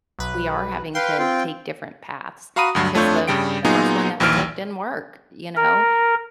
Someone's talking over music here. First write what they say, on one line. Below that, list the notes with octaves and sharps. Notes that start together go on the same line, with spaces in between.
we are having to take different paths, 'cause the the first one that we took didn't work, you know?
B1 B4
B4 F5 G5 C6
C4 F4 G5
F#4 F5 A#5 B5 D#6 D#7
D2 G2 F#3
F2 A3 D4 F4 C#5 G6
G2 C#3 G3 G5 D7
A#2 F#3 B3 D#4 F4 G#4
A#1 D#2 E3 E6 F6 D7
A#4